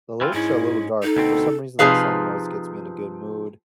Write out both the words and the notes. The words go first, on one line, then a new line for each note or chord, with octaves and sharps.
the lyrics are a little dark, but for some reason that song always gets me in a good mood.
E3 C4 F4
G#2 G#3 C#4 E4
D#4 A4
D2 B2 C4
C3 F3 D#4 G#4 B4 F5